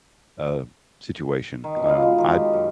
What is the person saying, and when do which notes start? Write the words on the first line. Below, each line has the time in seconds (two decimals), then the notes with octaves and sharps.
uh, situation. Um, I
1.64 D#3
1.76 B2
1.89 F4
2.03 G#3
2.18 D#3
2.34 G4
2.53 F#2